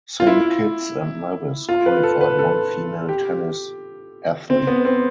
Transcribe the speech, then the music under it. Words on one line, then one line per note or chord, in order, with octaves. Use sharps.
Saint Kitts and Nevis qualified one female tennis athlete.
F4
E4
F4
B4
A4
B4
A4
G4
C4
B3
C4